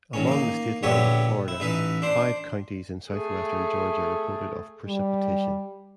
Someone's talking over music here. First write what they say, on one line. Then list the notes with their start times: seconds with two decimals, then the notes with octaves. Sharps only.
Along the state line with Florida, five counties in southwestern Georgia reported of precipitation.
0.13 A1 D#3 C#4
0.27 A#3 D#4
0.83 A#1 D3 B3 G4 C#5 E5
1.48 E4
1.60 A1 D#4 B4 E5
2.02 D4 C5
3.10 A3 G#4
4.86 G3